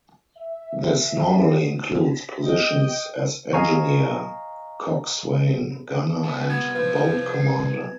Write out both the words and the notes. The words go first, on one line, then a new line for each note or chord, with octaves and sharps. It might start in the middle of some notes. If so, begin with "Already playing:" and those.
This normally includes positions as engineer, coxswain, gunner, and boat commander.
E5
D#5 G5
D#5 F5 G#5 A#5 C#6
B2
C3 G3 B3 G#6
F3 B4